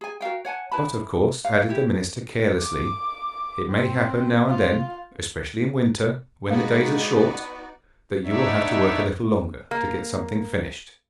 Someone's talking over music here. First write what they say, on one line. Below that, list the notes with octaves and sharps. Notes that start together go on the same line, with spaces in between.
'But, of course,' added the minister carelessly, 'it may happen now and then, especially in winter, when the days are short, that you will have to work a little longer, to get something finished.'
G#4 G#5
F#4 A#4 F5 G5
C#5 F#5 G#5 A5
E4 B4 A5 B5
F5
E4 G4
D6
C4
F4
G#2 B3 D#4 F#4 D5 F5
B3 D4 D#4 C#5 D5 E5
A#3